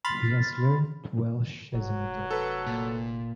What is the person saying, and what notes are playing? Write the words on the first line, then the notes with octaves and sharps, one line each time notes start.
He has learnt Welsh as an adult.
B5 C6 F6 A6
F1 F#3
A4 B4
A#2